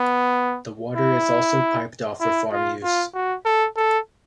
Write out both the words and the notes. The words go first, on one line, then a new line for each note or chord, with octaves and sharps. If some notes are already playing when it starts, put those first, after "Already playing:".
The water is also piped off for farm use.
Already playing: B3
E4
E4
F4
F4
F#4
A4
A4